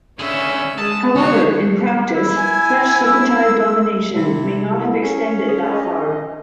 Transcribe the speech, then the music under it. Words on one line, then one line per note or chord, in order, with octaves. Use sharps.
However, in practice, such Sukhothai domination may not have extended that far.
D3 C#4 G#4 E5
G#3 G#4 A5
D2 F#4 C#5 C#6
E4
G#5
E6
C3 E4
C#4
G#4
D#5